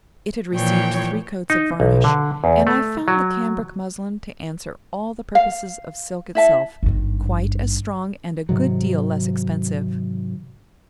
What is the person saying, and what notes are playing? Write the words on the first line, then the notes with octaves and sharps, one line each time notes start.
It had received three coats of varnish, and I found the cambric muslin to answer all the purposes of silk itself, quite as strong and a good deal less expensive.
A#2 E3 F3 C#5 G5 C#6
D#4
B1
D3
E2
A3
F#3
F5
E4 E5 A5
G#1 G2
G#2 C3 D#3 F#3